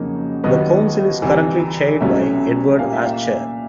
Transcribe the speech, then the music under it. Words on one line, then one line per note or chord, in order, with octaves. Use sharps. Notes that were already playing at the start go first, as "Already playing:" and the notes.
The Council is currently chaired by Edward Asscher.
Already playing: F2 C#3 F#3 A#3 D#4
D#2 D#3 F#3 B3 D#5
C2 C3 E3
C2 B2 F#3 A3 C#4 E5
A#2 G3 A#3 F5
E5
F5